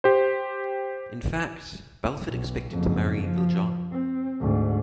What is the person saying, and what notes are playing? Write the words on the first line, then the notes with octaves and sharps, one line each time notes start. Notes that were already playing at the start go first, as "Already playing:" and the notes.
In fact Belfort expected to marry Viljoen.
G4 C5
B1
F#1 F2
F3
C4
D2 G#2